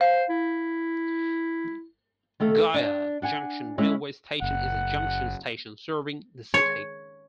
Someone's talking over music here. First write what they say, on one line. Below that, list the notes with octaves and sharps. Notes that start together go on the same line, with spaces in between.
Gaya Junction railway station is a junction station serving the city.
C5 F5
E4
D#3 A3 A4 F5
D4
D4 F#5 G#5
G#3 C#4 E4
F#1 F#5
C#5